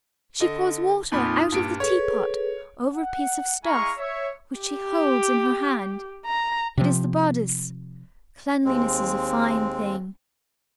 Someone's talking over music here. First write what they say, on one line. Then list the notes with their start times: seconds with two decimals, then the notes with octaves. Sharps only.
She pours water out of the teapot over a piece of stuff which she holds in her hand; it is the bodice; cleanliness is a fine thing.
0.40 D3 D#5
1.12 F2 A#2 D#4 F4 B5 D#6
1.52 G2 A#2 D7
1.80 G#4 A4 B4 C#5
2.94 F#5
3.62 G#3 E4 F5 G#5 A#5 C#6
3.97 C#5 E5
4.60 G4
6.26 A#5
6.77 C3 F3
8.65 D#2 G#3 C4